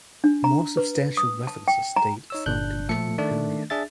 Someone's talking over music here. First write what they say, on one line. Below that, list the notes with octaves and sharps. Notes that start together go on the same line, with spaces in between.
More substantial references date from the Roman period.
D4
A#5
B4
D#6
A5
G5
A#5
D#4 C#5 E6
G1 D4 F#6 G6
F3 A3 A4 C#7
D#3 A3 D4 D5
D4 G#4 E5 A6